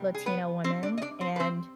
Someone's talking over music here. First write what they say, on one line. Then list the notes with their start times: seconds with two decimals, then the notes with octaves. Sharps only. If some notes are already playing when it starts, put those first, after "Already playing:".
Latino women, and,
Already playing: C3 G3
0.14 G#4
0.26 B3 B4
0.64 C4 C5
0.83 D4 D5
0.98 D#5
1.02 D4 D5
1.21 C4 C5
1.36 B4
1.40 C4 C5